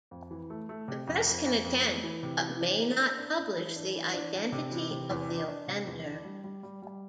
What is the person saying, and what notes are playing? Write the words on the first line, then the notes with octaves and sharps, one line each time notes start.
The press can attend but may not publish the identity of the offender.
F2
E3
A3
A3
C3
F2
F2
F2
F2
A3
E3
C3
E3
D4
A#3
D4
D4
D4
E3
D4
E3
D4
D4
C3
E3
C3
E2
D4
D4
C3
E2
D4
G3
G3
G3
G3